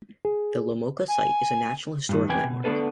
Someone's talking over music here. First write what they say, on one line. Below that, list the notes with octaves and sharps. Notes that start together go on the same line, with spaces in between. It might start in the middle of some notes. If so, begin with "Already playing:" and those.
The Lamoka Site is a National Historic Landmark.
G#4
G#5
G2 D#3
E2 C3 B4 G5 G#5
B2
D3 A3 B3 D4 A4 B4